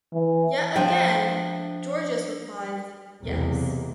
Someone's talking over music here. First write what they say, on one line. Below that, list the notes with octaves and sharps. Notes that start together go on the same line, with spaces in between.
Yet again, Gorgias replies, yes.
E3
F3 D4 E5 G5 A5
B1 E2 C3 G#3 A#3